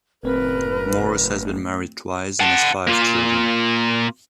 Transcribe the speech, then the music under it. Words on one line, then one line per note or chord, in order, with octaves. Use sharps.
Morse has been married twice and has five children.
F#1 A2 A3 C4 A#4 B4
F#5 A5
A#3 F4